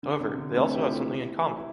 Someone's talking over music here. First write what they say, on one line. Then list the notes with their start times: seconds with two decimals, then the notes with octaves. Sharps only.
However, they also have something in common.
0.03 D3
0.20 C3
0.38 D3
0.57 A3 C4
0.74 E4 G4
0.85 F4
0.92 E4 G4
1.57 E4